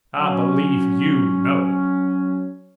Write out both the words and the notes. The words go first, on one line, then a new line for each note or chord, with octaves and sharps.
I believe you know.
F#3 C#4